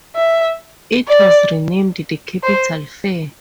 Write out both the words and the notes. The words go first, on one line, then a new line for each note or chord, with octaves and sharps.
It was renamed "the Capital Fair".
E5
D5
C5